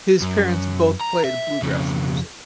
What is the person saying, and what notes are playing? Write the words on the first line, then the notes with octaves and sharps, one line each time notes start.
His parents both played bluegrass music.
F#2
A#5
E5
F2 C#3